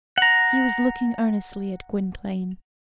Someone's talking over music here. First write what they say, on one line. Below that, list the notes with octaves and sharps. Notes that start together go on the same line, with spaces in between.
He was looking earnestly at Gwynplaine.
F#5 A#5